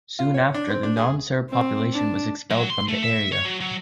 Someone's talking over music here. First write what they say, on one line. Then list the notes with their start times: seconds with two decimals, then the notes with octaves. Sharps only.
Soon after, the non-Serb population was expelled from the area.
0.19 F4
0.34 C#5
0.54 D4
0.70 C4
0.83 D4
0.97 G#4
1.50 C4
1.93 D4
2.50 F#3
2.70 C6
2.88 A3
3.03 E5
3.32 C#5
3.45 F#3
3.60 F#3